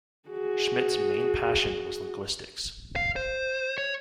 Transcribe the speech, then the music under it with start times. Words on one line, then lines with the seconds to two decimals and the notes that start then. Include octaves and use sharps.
Schmidt's main passion was linguistics.
0.29 F#4 G#4
2.96 F5
3.16 C5
3.78 C#5